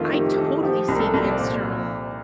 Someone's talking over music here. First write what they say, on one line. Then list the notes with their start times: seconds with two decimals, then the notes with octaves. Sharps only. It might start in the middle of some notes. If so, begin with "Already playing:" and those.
I totally see the external
Already playing: F2 D#3 A3 F4
0.12 D#3 G4
0.26 G4
0.37 D#3 A4
0.63 F3 G4
0.88 C2
0.95 A#4
1.00 A4
1.14 C2
1.31 D5
1.38 A#2 C5
1.63 A#2